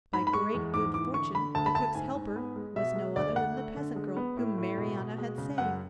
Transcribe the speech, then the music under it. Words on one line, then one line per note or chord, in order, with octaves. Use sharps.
By great good fortune, the cook's helper was no other than the peasant girl whom Marianna had saved.
G#2 B5
B5
G#3 C#6
E2
G#2 D6
E3 D6
D3 C#6
D3 B5
D2 A5
B5
D2 A5
G#2 G#5
G#2
B3
G#3
B2 E5
G#3
D2 D5
D2 F#5
A3
D3
G#3
B3
A2
A2
B2
B2
G#3
C#3
F#2 F#5